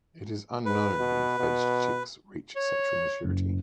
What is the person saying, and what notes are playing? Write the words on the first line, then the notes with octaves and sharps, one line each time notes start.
It is unknown when fledged chicks reach sexual maturity.
G#2 B4
B2
B2
C#5
F#1